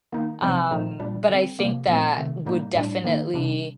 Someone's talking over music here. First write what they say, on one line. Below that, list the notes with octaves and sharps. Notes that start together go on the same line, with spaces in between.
Um, but I think that would definitely
D#3 A#3 D#4
C3 F3 C4 D#4
A#2 F3 A3 D#4
A#2 G3 D4
D3 G3 C4
C3 F3 A#3
A#2 F3 A3 C4
C3 D#3 A3
A2 G3 A#3 D#4
A2 G3 D4
D#3 A#3 D#4
C3 G3 D4